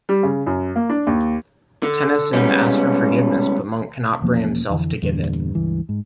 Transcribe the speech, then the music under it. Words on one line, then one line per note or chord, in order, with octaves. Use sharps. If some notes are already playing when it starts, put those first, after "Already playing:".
Tennyson asks for forgiveness, but Monk cannot bring himself to give it.
G3
C#3
F#2
A#3
D4
D#2
D3
C#2 G3 B3 C#4
E1 F3 A#3 C#4
F2 D3 E3
E2 G2 A#2 D3
C#2 G2 E3
G#2